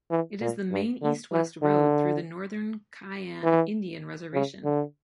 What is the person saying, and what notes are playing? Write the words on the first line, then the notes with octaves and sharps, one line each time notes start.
It is the main east-west road through the Northern Cheyenne Indian Reservation.
E3
A#2
G2
D3
E3
D3
E3
C#3
D3